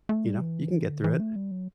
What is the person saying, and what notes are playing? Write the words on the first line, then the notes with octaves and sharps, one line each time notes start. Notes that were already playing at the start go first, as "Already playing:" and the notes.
you know, "You can get through it,"
A3
G3
E3
D3
E3
A3
G3
F#3